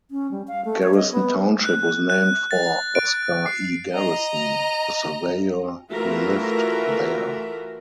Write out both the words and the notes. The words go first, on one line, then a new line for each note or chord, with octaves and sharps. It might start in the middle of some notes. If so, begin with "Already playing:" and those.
Garrison Township was named for Oscar E. Garrison, a surveyor who lived there.
C#4
G3
F5
A3
C#5
D#5
B3
F#6
F#6
A6
D7
C7
D#5 A#5
E3 A3 F4 F#4 A#4 E5